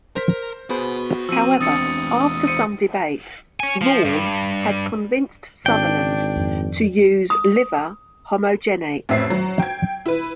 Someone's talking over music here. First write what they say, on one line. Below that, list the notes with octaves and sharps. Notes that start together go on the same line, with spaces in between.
However, after some debate, Rall had convinced Sutherland to use liver homogenates.
A#4 C5 B6
B3 F#4 G#4 C5 B5
F3 C4 E6 D#7
E2 C4 D4 D#6 A6 C#7
C5 C#7 D#7
C#5 G#5
F3
G2
G#1 D4 G5
F2
D#6
A1 F2 E5 C7
F#3
G5 G#6
E4 B4